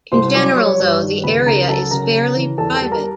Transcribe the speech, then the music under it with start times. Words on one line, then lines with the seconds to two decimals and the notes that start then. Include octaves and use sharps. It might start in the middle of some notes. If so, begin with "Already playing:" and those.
In general, though, the area is fairly private.
0.12 C2 C5 C6
0.34 F#3 D5 D6
0.57 G3 C#5 C#6
0.80 G2
1.02 D#3
1.24 C#2 B4 B5
1.46 C#3 A#4 A#5
1.69 F#3 A4 A5
1.91 C#3 A#4 A#5
2.14 C#3
2.36 E3
2.58 E2 A4 A5
2.75 A4 A5
2.81 G3
2.92 A#4 A#5